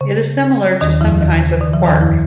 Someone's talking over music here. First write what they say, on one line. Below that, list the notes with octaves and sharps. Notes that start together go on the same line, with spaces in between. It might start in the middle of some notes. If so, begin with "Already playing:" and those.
It is similar to some kinds of quark.
C#3
D#2 D#3
F2 F3
D#2 D#3
C#3
D#3
F3
D#2 D#3
F2 F3